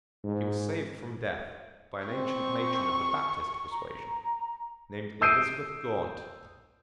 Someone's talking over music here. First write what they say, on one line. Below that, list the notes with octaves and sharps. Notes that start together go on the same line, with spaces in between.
He was saved from death by an ancient matron of the Baptist persuasion, named Elizabeth Gaunt.
G#2
C4 C#6
A#5
D#6 E6 G6 C7 D7 D#7